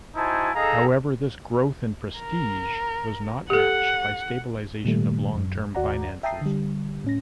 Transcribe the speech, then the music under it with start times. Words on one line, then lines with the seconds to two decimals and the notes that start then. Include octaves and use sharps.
However, this growth in prestige was not matched by stabilization of long-term finances.
0.15 D#4 E4 F#4 C5 G#5 A5
0.55 D#4 G#4 A4 D#5 F5 A#5
2.19 A#4
3.50 G4 A4 F#5
4.85 A#2 D#3 G3 A3
5.36 F#2
5.75 D#2 F#4 D5 F#5 A#5
6.23 E5 G5 A5 A#5 D#6 C7
6.41 D3 G3
7.04 A2 C#4 A#6